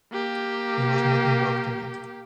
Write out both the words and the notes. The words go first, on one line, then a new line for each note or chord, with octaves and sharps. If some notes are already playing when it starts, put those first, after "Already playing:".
He was not involved in it.
A#3 G4